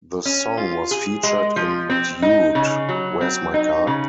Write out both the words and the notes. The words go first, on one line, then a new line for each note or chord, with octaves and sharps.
The song was featured in Dude, Where's My Car?
C#4
F4
G#4
G#3
F3
C4
D#4
C#3
F#3
C4
D#4
C#3